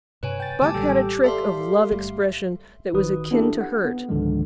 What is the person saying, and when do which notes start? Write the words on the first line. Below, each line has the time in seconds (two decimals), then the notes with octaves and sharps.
Buck had a trick of love expression that was akin to hurt.
0.23 G2 C3 B4 C#5 G#5
0.40 G5 A6
0.62 D3 G#3 A#3 G4 G#5 A5 D6
0.74 A1 G3 A4 G5
1.24 A4 D5 E5 F5 C6
1.91 G1 G3 A3
2.93 A1 D#3 D#4 F#4 B4 D#6
3.31 B3 D4 E4 G4 A4 B4
3.61 F#5
3.85 B3
4.09 C#2 G#2 D3 D#3 F3 G#3